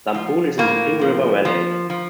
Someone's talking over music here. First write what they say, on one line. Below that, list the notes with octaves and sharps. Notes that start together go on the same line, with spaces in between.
Lamphun is in the Ping River valley.
F3
A2 A#3
F3
F3
F3